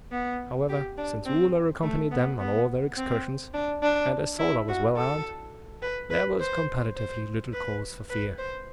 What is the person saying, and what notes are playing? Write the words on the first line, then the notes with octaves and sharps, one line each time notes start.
However, since Woola accompanied them on all their excursions, and as Sola was well armed, there was comparatively little cause for fear.
B3
G4
D4
C4
A3
B3
B3
C4
D4
D4
E4
F#4
A4
B4
B4
C5
C5
B4
B4
C5